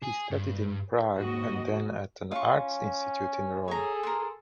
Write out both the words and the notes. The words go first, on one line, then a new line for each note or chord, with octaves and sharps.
He studied in Prague and then at an Arts institute in Rome.
G#4
G2
D#2 G#2 F#4 D#5
C#4 F4 C#6
G#4 A4 C#5 A#5
A#4 C6